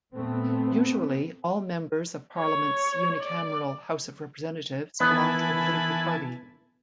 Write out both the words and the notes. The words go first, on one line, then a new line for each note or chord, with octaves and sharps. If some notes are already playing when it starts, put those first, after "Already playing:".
Usually, all members of Parliament's unicameral House of Representatives belong to a political party.
A#2 A3 B3 C4
C#5
D5
D#3 E3 B3 B4 G#5 A5 B5